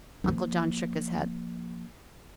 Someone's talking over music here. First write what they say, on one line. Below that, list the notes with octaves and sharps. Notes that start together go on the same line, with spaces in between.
Uncle John shook his head.
F3 A#3